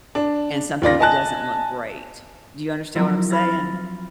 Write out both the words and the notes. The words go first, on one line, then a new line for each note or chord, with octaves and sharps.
in something that doesn't look great. Do you understand what I'm saying?
D4
D#2 F4 D5 A#6
D#5 G#5 A5 F#6
F3 F#3 C4 E4 A#4
B5 F6 A6 A#6